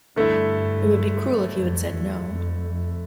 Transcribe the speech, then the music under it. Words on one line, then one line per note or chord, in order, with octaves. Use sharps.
It would be cruel if you had said no.
G2 D3 A3 E4
F2
E2
F2